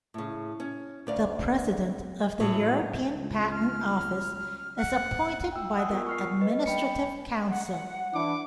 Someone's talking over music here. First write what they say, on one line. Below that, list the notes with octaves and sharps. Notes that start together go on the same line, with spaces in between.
The President of the European Patent Office is appointed by the Administrative Council.
A2 C#3
C#4
D2 D5 F5
A2 C#3 F#3
C#2
F6
F#5
G5 E6
F#5 G#5 D#6 E6 F#6
B3 F4 A#4
C#6 F6 C7
B4 D#5
G5 B5 C#7
F#5
E3 D4 E4 D6